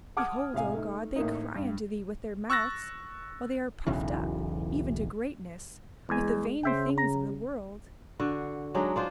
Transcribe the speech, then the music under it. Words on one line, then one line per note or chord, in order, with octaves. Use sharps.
Behold, O God, they cry unto thee with their mouths, while they are puffed up, even to greatness, with the vain things of the world.
F#5 A5 D6 D#6 F6 G#6
A1 C3 F5 G#5
A3 D#4
A1 A#3 D#4
G2
C#6 E6 F#6 A6 A#6
E1 B1 C#3 E3
E2 G#3 G#5
C#3 C5 E5 G5
A#5
D3 F#4
F#3 G#3 D4 D#4
D4 F4 C5